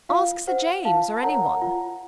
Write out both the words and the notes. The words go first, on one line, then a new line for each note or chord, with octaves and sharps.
Ask Sir James or anyone.
F4 F5
C5 F#5
F4 F5 A5
A#4 C#5 F#5 A#5
F4